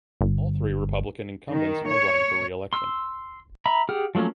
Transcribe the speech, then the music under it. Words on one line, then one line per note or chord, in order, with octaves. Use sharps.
All three Republican incumbents are running for reelection.
G1
D#3
C#5
C6 E6
E5 A#5 B5
G4 G#4 F#5 F6
F3 F#3 A3 A#3 C#4